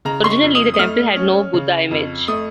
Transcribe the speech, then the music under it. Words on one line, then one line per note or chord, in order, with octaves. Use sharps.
Originally the temple had no Buddha image.
C#3 A#5
C6
C#6
F2
D#6
D#6
A3 F6
C#4
C#3
F2
A3 D#6